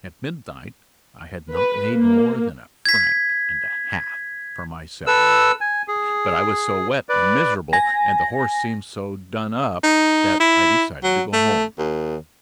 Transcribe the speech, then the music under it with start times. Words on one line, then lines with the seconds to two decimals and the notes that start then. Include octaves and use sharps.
At midnight I had not made more than a franc and a half for myself, but I was so wet and miserable and the horse seemed so done up that I decided to go home.
1.53 B4
1.92 A#3
2.85 G#6 B6
5.07 A4 B4 E6
5.61 G#5
5.88 G#4
7.09 B4 D5
7.73 G#5 A#6
9.84 D#4
10.40 E4
11.04 F#3
11.33 A3
11.79 D#2